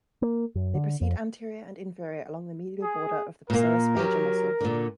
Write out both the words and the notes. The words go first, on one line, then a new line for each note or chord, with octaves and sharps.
They proceed anterior and inferior along the medial border of the psoas major muscles.
A#3
F#2
D3
F2
G#4
A#2 A#3 A#4
F#3 G4
A#2 D3